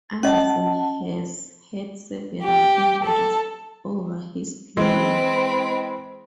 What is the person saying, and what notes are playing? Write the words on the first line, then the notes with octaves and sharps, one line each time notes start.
Anderson has had several injuries over his career.
C#4 D#5 F#5 A5
G4
A4
E3 G#3 C4 B5